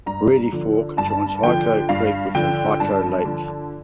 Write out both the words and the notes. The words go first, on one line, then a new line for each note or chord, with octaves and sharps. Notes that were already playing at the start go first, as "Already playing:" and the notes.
Reedy Fork joins Hyco Creek within Hyco Lake.
G2 A#5
D3 F3
G2 A5
D3 F3 G5
G2 F5
D3 F3 G5
G2 A5
D3 F3